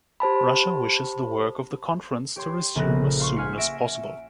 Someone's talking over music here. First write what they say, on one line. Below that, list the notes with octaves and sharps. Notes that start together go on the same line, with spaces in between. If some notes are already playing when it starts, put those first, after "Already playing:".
Russia wishes the work of the Conference to resume as soon as possible.
G4 C5 A5 B5
G4 C#5 C6
A#1 C#3 A4 B5 F#6 A#6
F5 C6 C#6
F#5 G#5 F6 B6 C#7
E5 A#6 C#7 D7